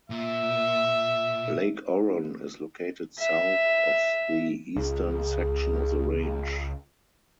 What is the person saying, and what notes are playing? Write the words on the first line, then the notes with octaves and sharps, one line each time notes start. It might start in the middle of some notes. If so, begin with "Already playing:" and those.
Lake Oron is located south of the eastern section of the range.
A#2 E5
E5
C#2 G#4